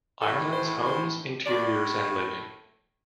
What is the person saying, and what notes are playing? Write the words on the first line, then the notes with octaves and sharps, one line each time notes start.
Ireland's Homes Interiors and Living.
A2 E3 A4
C5
C5
A2 D5